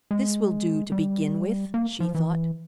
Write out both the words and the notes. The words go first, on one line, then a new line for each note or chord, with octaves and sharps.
"This will do to begin with," she thought.
G#3
G3
A#3
F3
E3